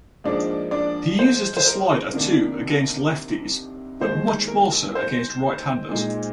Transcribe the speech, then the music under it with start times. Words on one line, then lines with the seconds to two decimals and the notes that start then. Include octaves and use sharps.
He uses the slider, too, against lefties, but much more so against right-handers.
0.24 G#2 F3 A#3 D4 D#4 D5
0.71 D4 D5
1.19 C5
1.57 C5
1.66 A#4
2.13 C2 C3 D#3 A#3 D4
4.00 D#2 D#3 G#3 D#4 C5
4.47 A#4
4.95 C5
5.89 A#2 G#3 D#4